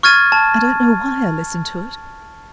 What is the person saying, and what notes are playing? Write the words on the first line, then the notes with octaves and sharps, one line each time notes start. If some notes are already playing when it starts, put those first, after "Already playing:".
I don't know why I listened to it.
C#6 F6 G#6 A6 D#7
A5